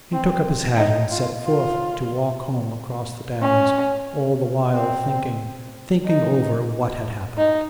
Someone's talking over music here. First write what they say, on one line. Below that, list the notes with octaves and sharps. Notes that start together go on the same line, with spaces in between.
He took up his hat and set forth to walk home across the downs, all the while thinking, thinking over what had happened.
C4
D#4
F4
F4
C#4
C4
D#4
D#4